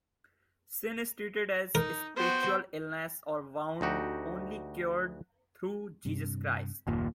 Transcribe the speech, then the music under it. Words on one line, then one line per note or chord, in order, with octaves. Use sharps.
Sin is treated as a spiritual illness, or wound, only cured through Jesus Christ.
D#4 A#4
B3 F#4 C5 G5
D2 D#4 F#4 G4
G2 C3
F#1 D#2 A#2